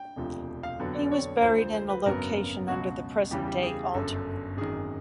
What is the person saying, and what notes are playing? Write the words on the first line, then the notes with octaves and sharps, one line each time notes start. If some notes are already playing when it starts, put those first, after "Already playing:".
He was buried in a location under the present-day altar.
Already playing: G5
E1 D2 C3 F3
F5
F2 D3 F#3 B3
D5
C#5
D2 D3 F3 C5
C5
C5
B4
G#1 F#2 C#3 F#3 B3 A#4
C#2 B2 F#3 F#4
E2 C#3 E3 G3 G4
G4
G#4
G1 F#2 D3 A4
G#1 F#2 D#3 G#4